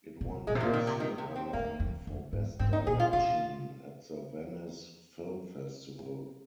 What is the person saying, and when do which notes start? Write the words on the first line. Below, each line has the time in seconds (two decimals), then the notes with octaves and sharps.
It won the Silver Lion for Best Direction at the Venice Film Festival.
0.21 C3
0.47 A#2 G#3
0.55 C3
0.60 A#2 F3
0.73 D#3
0.87 C3
1.00 D#3
1.18 C3
1.36 C4
1.53 F2 A#3
1.80 F2
2.07 F2
2.33 G#2
2.59 G#2 C4
2.73 D#4
2.87 A#2 G#4
3.00 F4
3.13 C3 F4